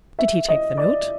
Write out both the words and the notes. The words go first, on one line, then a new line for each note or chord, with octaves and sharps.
"Did he take the note?"
E5
D#5
D5